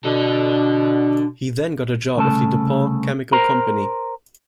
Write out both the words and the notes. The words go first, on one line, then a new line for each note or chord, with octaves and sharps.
He then got a job with the DuPont chemical company.
B2 D4 A4
C2 C#3 A3 A5
A#4 C5 A#5